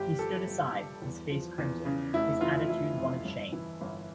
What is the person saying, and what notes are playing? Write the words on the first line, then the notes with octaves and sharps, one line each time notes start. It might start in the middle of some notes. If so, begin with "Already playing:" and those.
He stood aside, his face crimson, his attitude one of shame.
Already playing: G1 G4
F3 A4
G1
G2
E2
F3
E2
C#3
F1 E4
E3 F4
F1 E4
F2
G1
E3
G1